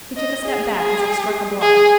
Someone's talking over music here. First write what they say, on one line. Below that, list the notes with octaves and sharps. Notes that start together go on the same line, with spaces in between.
He took a step back as if struck a blow.
D#5
G#4
G#4
G#4